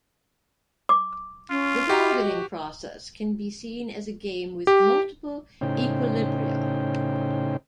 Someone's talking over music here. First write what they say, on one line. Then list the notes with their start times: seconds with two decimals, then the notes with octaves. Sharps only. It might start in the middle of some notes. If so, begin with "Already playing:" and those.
The bargaining process can be seen as a game with multiple equilibria.
0.89 D6
1.50 C#4 F4
1.89 F#4 G4 D#5
4.67 G4
5.61 A2 C#3 C#4 D#4 C5 G5